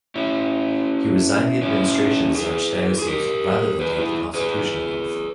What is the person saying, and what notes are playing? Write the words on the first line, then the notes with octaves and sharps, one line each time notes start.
He resigned the administration of his archdiocese rather than take the constitutional oath.
C#4 E4
C#4 E4
E4 G#4
G#4
G4 A#4
G#4 B4
E4 G#4
G#4 B4